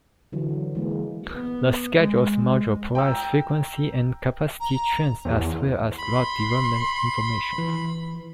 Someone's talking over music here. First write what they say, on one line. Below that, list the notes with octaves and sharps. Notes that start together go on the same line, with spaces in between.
The schedules module provides frequency and capacity trends as well as route development information.
D3 E3 F#3
E3 G#3 A#3
B3
G#3
G5 A#5 E6
A#5
E2
B5 C6
E3